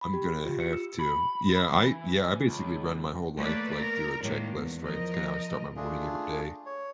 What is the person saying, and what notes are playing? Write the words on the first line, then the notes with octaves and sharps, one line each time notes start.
I'm gonna have to. Yeah, I yeah, I basically run my whole life, like, through a checklist, right, it's kinda how I start my morning every day,
B5
G4
G4
F4
C#7
E6
B5
E3
C#2
A3 A#3 B4 D5
A#4
A2 D#3 G3 G#3 A#3
E2
F3 A#4 D#5
A3 D4 F4 G#4
C#5